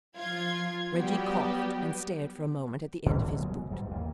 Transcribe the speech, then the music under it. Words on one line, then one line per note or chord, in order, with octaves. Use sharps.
Reggie coughed and stared for a moment at the end of his boot.
F3 F4 G#6
F#3 G3 B3 F#4 G4
A#2 D3 D#3 G#3
F#3 G#3 B3
G1 G#2 G3
D#2 G3 A#3